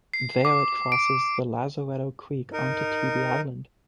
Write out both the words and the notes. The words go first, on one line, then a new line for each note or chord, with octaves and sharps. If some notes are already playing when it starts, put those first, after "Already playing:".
There it crosses the Lazaretto Creek onto Tybee Island.
C7
D6
D7
D#4 A#4